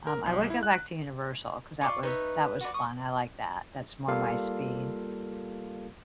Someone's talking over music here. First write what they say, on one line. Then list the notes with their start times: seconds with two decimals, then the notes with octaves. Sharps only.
Um, I would go back to Universal 'cause that was that was fun, I liked that, that's more my speed.
0.07 A#4
0.26 B1
0.50 E4
0.63 F#6
1.81 F4 D5 C#6
2.03 D#4 B4 C#5 E5
2.61 F#4 B4 D5
2.74 C#6 D#6
4.08 G3 A#3 F4 A4 F5